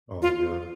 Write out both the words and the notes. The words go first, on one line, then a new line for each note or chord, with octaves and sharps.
Oh, yep.
F4